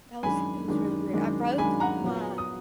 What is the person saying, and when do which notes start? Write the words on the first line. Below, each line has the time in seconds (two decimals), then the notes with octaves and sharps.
that was it was really weird. I broke my
0.23 F#2 D#3 G#3 D4 G#5 B5
0.68 F#2 D#3 G#3 D4
1.13 F#2 D#3 G#3 D4
1.58 F#2 D#3 G#3 D4 G#5 B5
1.80 F#5 A#5
2.03 A#2 F#3 B3 F4
2.38 D#6